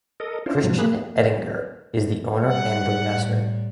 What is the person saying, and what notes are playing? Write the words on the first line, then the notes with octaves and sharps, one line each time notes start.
Christian Ettinger is the owner and brewmaster.
A4 A#4 D#5
C#4 D4 E4 F4 C5
G#2 C3 F3 F#3
A#3 G#4 B5 F#6
G3 F#5
A2